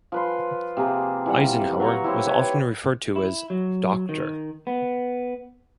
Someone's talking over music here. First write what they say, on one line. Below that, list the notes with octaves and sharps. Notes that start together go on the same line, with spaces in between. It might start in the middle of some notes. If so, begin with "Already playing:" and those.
Eisenhower was often referred to as Doctor.
F3 B4 C6
C3 A#3 G#4
E3 G3 F#5
F#3 A#5 C#6
E4 G4 C5 C#5
B4 C#5
E4
F#3
D#3
B3